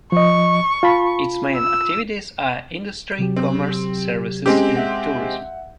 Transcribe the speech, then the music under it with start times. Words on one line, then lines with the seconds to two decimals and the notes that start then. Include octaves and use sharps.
Its main activities are industry, commerce, services and tourism.
0.12 F3 D#5 C#6
0.83 F4 A5 B5
1.56 E6
3.18 C3 F#3 G4
3.36 C4
4.46 G#3 C4 C#4 G4
4.76 E5 F#5